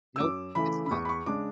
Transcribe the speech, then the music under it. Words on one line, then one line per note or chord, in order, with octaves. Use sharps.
Nope, it's not.
E6
F#2 D6
C#3 E3 A3 E4 B5
B5
E2 C#6
B5
C#6
C#3 G#3 D4 D6